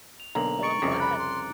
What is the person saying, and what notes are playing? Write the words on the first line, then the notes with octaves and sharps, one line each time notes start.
Well, I'm glad.
F7
B1 D3 A#3 A#5 F#7
C#6 A6 C#7 D7
C2 F2 C#3 D6
B5 F#6
C6